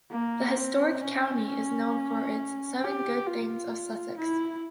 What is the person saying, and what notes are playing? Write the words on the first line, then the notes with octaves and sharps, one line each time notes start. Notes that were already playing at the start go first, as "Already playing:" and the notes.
The historic county is known for its "seven good things of Sussex".
A#3
C4
C#4
G4
F4
E4